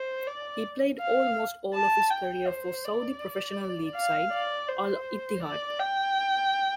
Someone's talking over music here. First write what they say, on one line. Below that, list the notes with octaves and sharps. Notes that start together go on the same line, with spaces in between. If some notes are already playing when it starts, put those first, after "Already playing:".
He played almost all of his career for Saudi Professional League side Al Ittihad.
Already playing: C5
D5
F5
A5
G5
C5
D5
F5
D5
C5
D5
G5